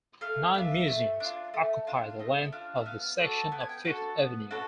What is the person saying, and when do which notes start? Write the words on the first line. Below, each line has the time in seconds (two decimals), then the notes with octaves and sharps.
Nine museums occupy the length of this section of Fifth Avenue.
0.21 A3 F5
0.54 D4 F4 E5
0.88 A3
1.20 D4 F4
1.54 A3
1.87 D4 F4
2.19 A3 D#5
2.52 D4 F4 F5
2.76 E5
2.85 B3 F5
3.19 D4 F#4 A4
3.52 B3 G5
3.60 G#5
3.69 G5
3.85 D4 F#4 A4 F#5
4.18 B3
4.51 D4 F#4 A4 B4